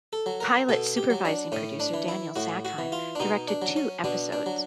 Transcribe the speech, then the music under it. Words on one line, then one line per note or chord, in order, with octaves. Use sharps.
"Pilot" supervising producer Daniel Sackheim directed two episodes.
A4
F#3
A#4
B2 A4
G4
F#3
D4
A2 C#4
D4
E3
E4
A2 F#4
F#4
E3
F4
D4
B2 D#4
D4
F#3
C#4
B2 D4
D4
F#3